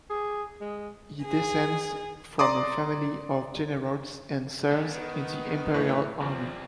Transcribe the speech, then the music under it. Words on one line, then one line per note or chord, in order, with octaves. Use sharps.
He descends from a family of generals and serves in the imperial army.
G#4
G#3
G#4
D5 A#5 C6 D6 D#6
G3 G#3
D#3 B3
A2 E3 B4 C#6
E2 F3 G3 C4